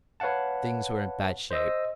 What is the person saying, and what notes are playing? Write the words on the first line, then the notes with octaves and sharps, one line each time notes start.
Things were in bad shape.
B4 C#5 F5 F#5 A5
C5 D#5 E6